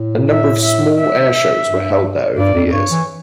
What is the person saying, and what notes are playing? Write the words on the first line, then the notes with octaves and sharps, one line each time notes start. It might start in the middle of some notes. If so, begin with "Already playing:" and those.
A number of small air shows were held there over the years.
Already playing: A2
E5
E5
E5
G2
G2 D5
F2
F2
G2 C#5
E3